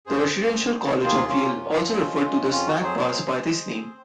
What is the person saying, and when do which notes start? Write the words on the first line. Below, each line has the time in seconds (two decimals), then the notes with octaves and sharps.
The residential colleges of Yale also refer to their snack bars by this name.
0.06 F#2 G#4 C5
0.32 F#2
0.56 D#3
0.80 D#2
1.04 C3 F4 G#4
1.28 C3 C#4 F4
1.53 F#2
1.78 F3
2.02 G#3
2.25 G#3
2.50 F2 C#4 F4
2.67 D#4 F#4
2.74 F#3
2.82 G#4 C5
2.99 G#3 G#4 C5
3.24 G#3
3.48 G#3
3.72 C4